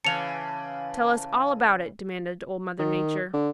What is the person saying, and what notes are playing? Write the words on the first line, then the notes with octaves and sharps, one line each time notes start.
"Tell us all about it," demanded Old Mother Nature.
C#3 E3 F5 A5 C#7 F7
D#3
D3